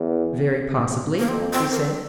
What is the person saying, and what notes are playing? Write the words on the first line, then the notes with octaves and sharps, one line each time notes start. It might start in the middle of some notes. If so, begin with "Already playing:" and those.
Very possibly, he said.
Already playing: E2
A#3
F2 C4
C4
A#4
A4